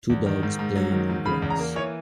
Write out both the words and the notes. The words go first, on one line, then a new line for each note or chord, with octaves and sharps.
Two dogs playing on grass.
E2
D#3
G#2
G#2
F#3
D#3
G#2
C#3 B5
E2
A#5
A#3
E3 C#5